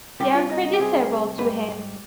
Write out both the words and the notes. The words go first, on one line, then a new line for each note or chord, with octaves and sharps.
They are creditable to him.
C3 G3 G4
F4
D#4
D#4
G4
C3 G3 G#4
G#2 G3 B4